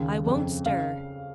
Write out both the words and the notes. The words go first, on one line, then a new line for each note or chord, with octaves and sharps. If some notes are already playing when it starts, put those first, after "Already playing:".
"I won't stir."
Already playing: D#2 C#3
F2 C#3
C#3 F5